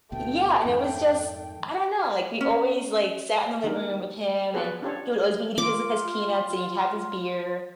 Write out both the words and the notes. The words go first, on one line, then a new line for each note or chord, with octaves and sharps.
yeah, and it was just I don't know, like, we always, like, sat in the living room with him, and he would always be eating his with his peanuts, and he'd have his beer,
D2 B2 A3 G5
F2 G#2 D#3
C#4
D#3 A#3 D4 D#4 G4 A#4
B3 F4 F#4 G#4 A4 B4
C#4 D4 F4 G4 A4 C#5
F4 D6